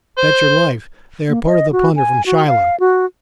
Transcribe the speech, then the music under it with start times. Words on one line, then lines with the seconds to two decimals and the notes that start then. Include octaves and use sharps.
Bet your life, they are a part of the plunder from Shiloh.
0.18 C5
1.29 A#3
1.46 D#5
1.72 F#4
1.96 G#5
2.26 F#4
2.47 F5
2.80 F#4